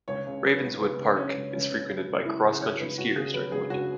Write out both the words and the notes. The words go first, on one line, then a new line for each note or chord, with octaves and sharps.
Ravenswood Park is frequented by cross-country skiers during the winter.
C#2 C#5
C#3
F#3 B4
C#2
C#2 B3
C#3
F#3 C#4
C#2
C#2 C#4
C#3
F#3
C#2
C#2 E4
C#3 G#4
F#3 C#5
C#2 B4
C#2 F#4
C#3 G#4
F#3 B4
C#2 G#4
C#2 F#4